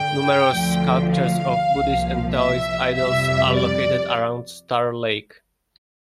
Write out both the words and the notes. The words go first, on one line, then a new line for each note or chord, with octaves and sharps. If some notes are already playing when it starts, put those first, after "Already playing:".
Numerous sculptures of Buddhist and Taoist idols are located around Star Lake.
Already playing: G2 D3 G5
D2 D3 F3 A3
F5
C2 A#2 F3
E5
F2 C3 G3 E5
D5